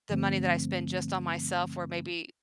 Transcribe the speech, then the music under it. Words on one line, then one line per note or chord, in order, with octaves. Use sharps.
the money that I spend just on myself where maybe
G2 D3 F3 A3 C4